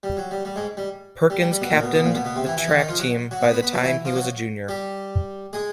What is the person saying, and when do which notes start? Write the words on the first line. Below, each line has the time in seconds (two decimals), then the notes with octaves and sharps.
Perkins captained the track team by the time he was a junior.
0.03 G3
0.17 F#3
0.31 G3
0.45 G3
0.56 G#2 G#3
0.77 G3
1.30 G3
1.40 G3
1.51 G3
1.62 B2 B3
1.72 A#2 A#3
1.83 B2 B3
1.93 B2 B3
2.04 A#2 A#3
2.15 B2 B3
2.25 B2 B3
2.36 C3 C4
2.46 E3 E4
2.57 E3 E4
2.67 D#3 D#4
2.78 D#3 D#4
2.89 F3 F4
2.99 F#3 F#4
3.31 F#3 F#4
3.41 B3 B4
3.52 B3 B4
3.63 B3 B4
3.73 F#3 F#4
3.84 E3 E4
4.05 F3 F4
4.16 F#3 F#4
4.68 G3 G4
5.53 G#3 G#4